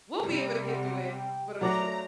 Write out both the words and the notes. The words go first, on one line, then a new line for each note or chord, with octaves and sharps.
we'll be able to get through it, but I'm sure.
C3 G3
F#5
G5
F#3 A3 D5 F#5 A#5